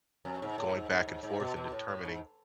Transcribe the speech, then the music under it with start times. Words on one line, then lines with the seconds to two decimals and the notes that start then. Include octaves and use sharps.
y going back and forth and determining
0.25 F2
0.42 G#2
0.58 A2
0.75 G#2
0.91 G#2
1.08 G#2
1.23 G#2
1.40 B2
1.56 B2
1.72 A2
1.88 A2
2.05 G#2